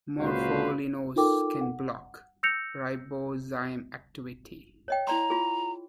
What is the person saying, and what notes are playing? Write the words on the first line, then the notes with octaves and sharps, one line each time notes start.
Morpholinos can block ribozyme activity.
C#2 A#2 F#4 B4 C5 F5
D#4 F4 A4 A#4 G5 D6
F#5
E6 G6 A#6 C#7 F7
C#5 D#5 G5
E4 D5 A#5 C6
F4 G#4